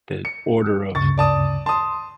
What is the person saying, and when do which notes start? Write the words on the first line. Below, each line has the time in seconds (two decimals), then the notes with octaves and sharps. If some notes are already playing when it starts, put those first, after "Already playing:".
the order of
0.25 C#7
0.95 D2 G2 C#3 C#6 A6
1.18 D5 A5 D#6
1.66 A5 C6 D#6